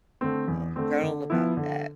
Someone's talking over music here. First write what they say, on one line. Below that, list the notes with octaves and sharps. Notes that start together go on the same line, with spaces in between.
um, journal about that.
D3 A3 C4
E2
D3 A3 C4
D3
F3 B3 E4
D3